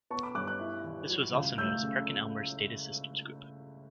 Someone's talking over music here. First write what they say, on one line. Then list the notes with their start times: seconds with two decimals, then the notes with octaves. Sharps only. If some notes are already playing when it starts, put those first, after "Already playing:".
This was also known as Perkin-Elmer's Data Systems Group.
0.10 B3 A5 C#6
0.23 B5 D6
0.35 G2 D6 F#6
0.47 D6 F#6
0.60 E4
0.84 E3
1.09 F#3
1.33 C#2
1.58 A3 E6 G6
1.82 C#3